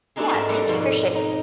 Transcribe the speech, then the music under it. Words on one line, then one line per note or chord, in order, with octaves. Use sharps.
Yeah, thank you for shar
A3 B3 C4 D4 D#4 G#4
G#2 A#4 A5 A#5
G3 A3 A#3 C4 D5 F#5
F2 G#2 B2
D#4